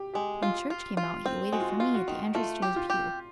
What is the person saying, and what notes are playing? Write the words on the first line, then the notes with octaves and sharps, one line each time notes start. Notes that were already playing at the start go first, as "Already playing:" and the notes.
When church came out, he waited for me at the entrance to his pew.
Already playing: G4
G#3 G4
F4
F4
F4
C4
G#3 F#4
F4
F#4
F4
F#4
D#3
A3 F4
G4
F4
G4